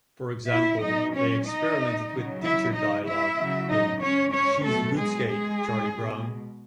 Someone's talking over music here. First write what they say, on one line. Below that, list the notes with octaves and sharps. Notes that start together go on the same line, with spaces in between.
For example, they experimented with teacher dialogue in "She's a Good Skate, Charlie Brown".
E4 E5
B2 F#3 D#4 D#5
C#4 C#5
D#4 D#5
C#3 F#3
E4 E5
D#4 D#5
E4 E5
C#3 F#3
D#4 D#5
C#4 C#5
C#4 C#5
B2 F#3 A3 A4
G#3 G#4
G#3 G#4
B2 G#3